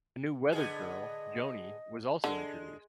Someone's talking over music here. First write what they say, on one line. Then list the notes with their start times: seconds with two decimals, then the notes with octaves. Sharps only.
A new weather girl, Joni, was also introduced.
0.52 D3 B3 G#4 D#5
2.24 D3 G#3